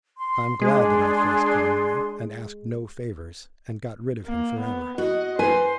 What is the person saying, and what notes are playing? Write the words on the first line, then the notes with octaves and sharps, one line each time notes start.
I am glad that I faced Conway, and asked no favors, and got rid of him forever.
C6
G#3 D4 G#4 C6
A#3
B3
F#4 D#5
B4 C5 G#5